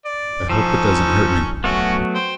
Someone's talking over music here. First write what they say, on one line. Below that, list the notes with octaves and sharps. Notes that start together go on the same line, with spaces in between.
I hope it doesn’t hurt me.
D5
F3 C#4 D#4 A4
F#3 A3 B3 C#4 F#4
C5 G5